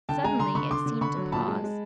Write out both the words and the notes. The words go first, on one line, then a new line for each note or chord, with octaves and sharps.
Suddenly it seemed to pause.
D3 G5 A5
G#3 G#5 A#5
D3 A#5 C6
D3 B5 C#6
D3 C6 D6
D3
D3 B5 C#6
F#3
A#2 A5 B5
G#3
G#3